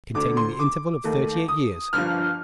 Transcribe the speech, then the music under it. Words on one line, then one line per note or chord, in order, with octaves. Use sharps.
Containing The Interval Of Thirty-Eight Years.
D2 D3 A3 D6
C6
D6
D#2 D#3 A3
D#6
G1 G2 F3 F6